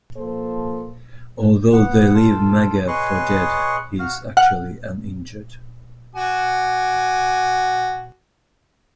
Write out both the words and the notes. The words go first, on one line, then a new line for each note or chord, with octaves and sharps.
Although they leave Magua for dead, he is actually uninjured.
F3 A#3 A4 C5
B3 F#5
F4 A4
G#4 B4 C#5 D#5 C6 C#6
F#4 F5
F#5 F6 F#6
F#4 G#5 D6